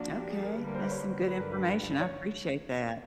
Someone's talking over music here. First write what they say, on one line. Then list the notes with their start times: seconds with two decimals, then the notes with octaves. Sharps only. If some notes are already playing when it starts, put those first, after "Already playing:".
Okay, that's some good information, I appreciate that.
Already playing: F3 A#3 D4 F#4
0.18 G4
0.30 G#4
0.43 A#4
0.54 D3 G3 A#3 B4
0.67 A#4
0.75 C5
0.79 B4
0.91 C#5
1.09 C5
1.28 G2 D3 G3 B4
1.40 A#4
1.52 B4
2.01 C#5